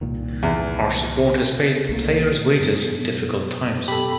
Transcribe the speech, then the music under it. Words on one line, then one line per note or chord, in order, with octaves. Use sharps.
Our support has paid players' wages in difficult times.
C2 A#2 D#3
E2
C2 A3 A#3
F#2 B2
G4 A4 B5